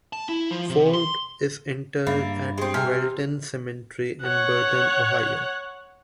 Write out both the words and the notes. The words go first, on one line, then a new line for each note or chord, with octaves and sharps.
Ford is interred at Welton Cemetery in Burton, Ohio.
A5
E4
F3
C3
C6
G2 A#3 E5 B5 A6
G#3 C4 G4
C3 G#5 F6
C#5 F#5